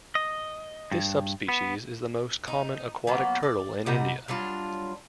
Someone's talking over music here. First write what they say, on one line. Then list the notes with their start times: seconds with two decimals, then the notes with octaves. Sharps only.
This subspecies is the most common aquatic turtle in India.
0.15 D#5
0.92 G2
1.48 B3
2.48 D#4
3.07 F#3 A#3 B3
3.43 D5
3.86 C3 G3 D#4 F#5
4.28 F#3 G3 D4 F4